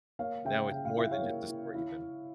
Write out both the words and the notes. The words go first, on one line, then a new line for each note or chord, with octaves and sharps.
Now it's more than just a story even.
A#3 C#5 F5
C#3 E5 G5
C#3 G5
F5
E4 E5
C#5 F5
A#3
E4
E4